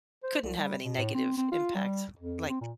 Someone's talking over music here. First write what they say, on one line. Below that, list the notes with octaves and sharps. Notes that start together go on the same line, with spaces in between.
couldn't have any negative impact, like
C5
C2
G3
B2
A2
C4
C4
F4
G3
F2
C4
A#2